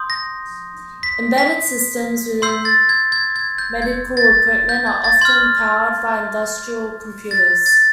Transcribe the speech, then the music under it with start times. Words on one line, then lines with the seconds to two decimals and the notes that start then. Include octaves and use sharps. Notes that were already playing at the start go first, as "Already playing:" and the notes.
Embedded systems within medical equipment are often powered by industrial computers.
Already playing: C6 D#6 G6
0.10 A#6
1.03 B6
1.38 B6
2.42 C6 E6 G6 C7
2.65 A6
2.89 G#6
3.12 G#6
3.36 G#6
3.58 G6
3.82 G#6
4.17 A6
4.69 G6
4.86 G#6
5.04 A6
5.21 C6 F6 G#6
7.31 A6
7.66 A6